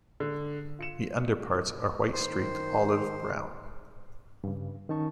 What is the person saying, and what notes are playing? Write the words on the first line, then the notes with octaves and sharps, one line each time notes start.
The underparts are white-streaked olive brown.
D3
F4 C#7 E7
D#3 C5
G2 C#3
D#3 C#4 D#4 A5 C#6